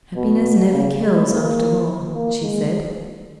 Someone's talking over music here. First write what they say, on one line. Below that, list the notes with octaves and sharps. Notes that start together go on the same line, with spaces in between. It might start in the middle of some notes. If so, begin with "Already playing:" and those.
"Happiness never kills, after all," she said.
B2
C#3
G#3
A#3
A#3
G#3